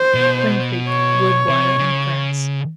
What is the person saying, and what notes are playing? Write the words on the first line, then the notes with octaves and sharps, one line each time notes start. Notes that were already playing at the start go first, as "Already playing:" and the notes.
Spring Creek.--Wood, water, and grass.
Already playing: C5
B2
C#5
C3
C#3